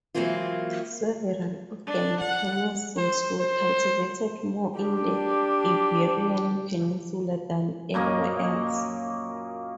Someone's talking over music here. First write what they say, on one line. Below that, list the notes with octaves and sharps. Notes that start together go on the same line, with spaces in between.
Several organ mechanisms were cultivated more in the Iberian peninsula than anywhere else.
E3 F#3 G#3 A#3 C4 F4
D4
F#5
C5
C5
D4 G4
F#2 A#2 A#3 D#5